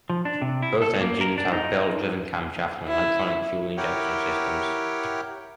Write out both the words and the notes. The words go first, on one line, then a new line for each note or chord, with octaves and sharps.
Both engines have belt driven camshafts and Electronic Fuel Injection systems.
F3
D4
C3
E4
A4
A#3
A#4
D4
D#4
E4
E4 G4 A#4 C#5 F#5 G5